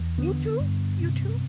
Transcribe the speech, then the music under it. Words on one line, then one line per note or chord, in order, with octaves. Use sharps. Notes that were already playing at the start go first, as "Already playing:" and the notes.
You too? You too?
Already playing: E2
D3 B3
G2
C3